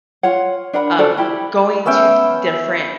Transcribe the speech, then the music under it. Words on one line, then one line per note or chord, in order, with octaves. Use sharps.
um, going to th different
F4 C#5 F#5
D4 A#4 F#5 B5
F#4 A4 C5 D5
E4 G4 B5
B3 C#4 E5 G5